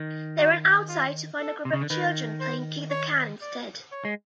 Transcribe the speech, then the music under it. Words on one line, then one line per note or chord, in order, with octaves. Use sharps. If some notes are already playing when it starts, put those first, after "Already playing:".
They run outside to find a group of children playing kick the can instead.
Already playing: D#3
F#4
F4
A4
C3
C#3
D3
D#3 B4
C5
C#5
D5
C#5
G#3